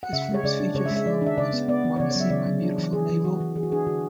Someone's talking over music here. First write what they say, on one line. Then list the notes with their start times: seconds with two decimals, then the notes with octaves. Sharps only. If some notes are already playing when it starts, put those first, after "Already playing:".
His first feature film was Wanna See My Beautiful Navel?
0.03 F#5
0.13 C#3 E5
0.29 G#3
0.34 C#5
0.43 C#3 D5
0.60 D4
0.75 C#3 C#5
0.86 E5
0.91 G#3
0.96 E5
1.06 G#3 D5
1.22 D4 E5
1.38 C#3 D5
1.53 B3
1.68 B3 D5
1.84 B3
1.96 C#5
2.00 C#3 D5
2.11 C#5
2.16 F#3
2.21 E5
2.31 C#3 D5
2.46 F#3
2.62 D4
2.78 E3
2.93 E3 G#4
3.09 E3
3.25 E3 F#4
3.40 E3
3.56 E3 G#4
3.63 F#4
3.72 D4 G#4
3.87 D3 F#4